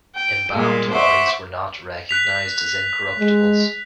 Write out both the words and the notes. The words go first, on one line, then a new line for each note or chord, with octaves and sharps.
Embalmed bodies were not recognized as incorruptibles.
G5
A#2 G3 G#3 A#3
C5 E5 F#5 C#6 D6
F#6 B6 F7
G#3